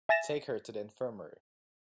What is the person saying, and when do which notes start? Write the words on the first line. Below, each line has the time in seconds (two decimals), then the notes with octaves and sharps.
Take her to the infirmary.
0.09 E5 G#5 A6 A#6 E7